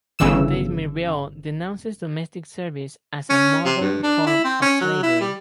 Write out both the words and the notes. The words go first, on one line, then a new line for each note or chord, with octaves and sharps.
Octave Mirbeau denounces domestic service as a modern form of slavery.
G1 C#3 E3 E6
C#4
C3
G2
D4
E4
C4
C#4
F#3
E4
G3